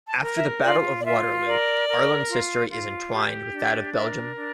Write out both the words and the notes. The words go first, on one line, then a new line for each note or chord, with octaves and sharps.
After the Battle of Waterloo, Arlon's history is entwined with that of Belgium.
A5
A#4
E5
F4 D5
D5
F4 E5
A#4 D5
A#4
F4
F4
G4
D4
A#4 E5
D4